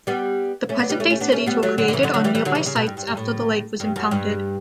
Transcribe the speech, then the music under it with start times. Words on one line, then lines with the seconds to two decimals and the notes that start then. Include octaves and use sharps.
The present-day cities were created on nearby sites after the lake was impounded.
0.07 G3 B3
0.69 A3 C#4
0.79 B3 D4
0.89 G3 B3
1.00 A3 C#4
1.10 A3 C#4
1.20 B3 D4
1.32 A3 C#4
1.46 G3 B3
1.63 F#3 A3
1.78 D3 F#3
1.88 D3
1.93 C#3 E3
2.03 D3 F#3
2.14 D3 F#3
2.24 E3 G3
2.35 E3 G3
2.45 D3 F#3
2.55 C#3 E3
2.66 C#3
2.76 B2
2.87 G2
2.97 G2
3.07 G2
3.17 A2
3.80 G2
3.96 F#2
4.11 G2